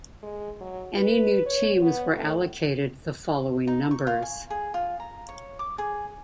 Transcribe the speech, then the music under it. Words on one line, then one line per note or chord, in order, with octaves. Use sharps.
Any new teams were allocated the following numbers.
G#3
F#3
B4
C#5
B3
A2
D#4
C#6
F4
G#5
G#4
F4
A#5
C#5
D6
G#4